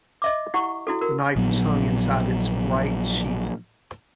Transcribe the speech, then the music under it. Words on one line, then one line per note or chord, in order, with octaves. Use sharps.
The knife was hung inside its bright sheath.
D#5 E5 D6
E4 G4 F#5 C#6
E4 F#4 A4
F#4 A#4
A#1 A#2 F#3 B3